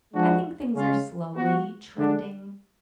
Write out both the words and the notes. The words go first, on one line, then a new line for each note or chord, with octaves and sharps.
I think things are slowly trending
F3 G#3 D4 F#4
C#3 G#3 C#4 F4
F3 B3 F#4
D3 G#3 D4